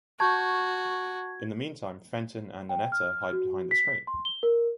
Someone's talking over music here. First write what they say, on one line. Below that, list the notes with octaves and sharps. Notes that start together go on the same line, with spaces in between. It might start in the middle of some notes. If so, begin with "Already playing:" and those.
In the meantime Fenton and Nannetta hide behind the screen.
F#4 A5 C#6 G6 G#6
G5
F6
F#4
B6
C6
G7
A#4